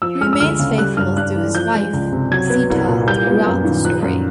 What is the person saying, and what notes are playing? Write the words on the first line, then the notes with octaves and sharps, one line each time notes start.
He remains faithful to his wife Sita, throughout the story.
F3 E6
G#3 F6
E6
D2 F6
C#3
G3 F#6
G2 F6
G2 F#6
E3
F3 G6
G#3
C#2
C3
F#3 G#6
B3
C2
A#2
G3 G6
B3
F#2
D#3
F3 F#6
F#2